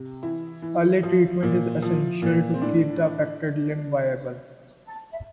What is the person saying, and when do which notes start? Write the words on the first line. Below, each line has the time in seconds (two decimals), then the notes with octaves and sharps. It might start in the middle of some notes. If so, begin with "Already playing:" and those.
Early treatment is essential to keep the affected limb viable.
Already playing: C3
0.23 E3 E4
0.62 E3
1.03 F3
1.43 A#2
1.82 F3
2.22 A#2
2.54 C4
2.61 A2 D4